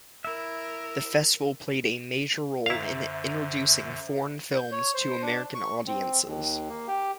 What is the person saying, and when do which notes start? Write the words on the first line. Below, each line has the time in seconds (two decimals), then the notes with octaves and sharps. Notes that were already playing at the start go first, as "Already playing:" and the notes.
The festival played a major role in introducing foreign films to American audiences.
0.25 E4 A#4 E5
2.66 F#2 D3 E4 C5 E5 F5 A#5
4.57 G6
4.72 C#5
4.94 C5
5.22 D4
5.55 C#6
5.87 C4
6.26 D#2
6.69 A#3
6.88 G4